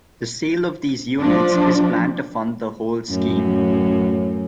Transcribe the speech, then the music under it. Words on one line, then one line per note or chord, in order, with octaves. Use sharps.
The sale of these units is planned to fund the whole scheme.
F3 D4
F#2 A2